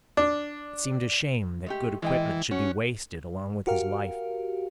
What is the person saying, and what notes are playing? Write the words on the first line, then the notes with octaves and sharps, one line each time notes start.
It seemed a shame that good equipment should be wasted along with his life.
D4
G#3 A3 G4
E3 G#3 D#5 G5
C#4 F#4
F#4 G4 A#4 F5